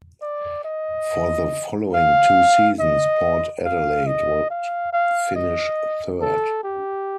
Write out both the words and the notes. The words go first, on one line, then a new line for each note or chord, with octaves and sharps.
For the following two seasons Port Adelaide would finish third.
D5
D#5
F5
D#5
F5
D#5
F5
F5
D#5
A4
G4